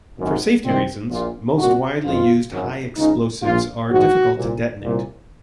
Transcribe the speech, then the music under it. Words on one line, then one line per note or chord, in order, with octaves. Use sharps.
For safety reasons, most widely used high explosives are difficult to detonate.
G#1 F#2 D#3
C2 C3 D#3 C4
A#1 A#2 F4
C2 A#2 F#4
F#1 F2 D#3 F4
G#1 F#2 C#3
C#2 C#3 D#4
A#1 A#2 F4
A#1 G#2 D#3 F#4
C2 A#2
C2 A#2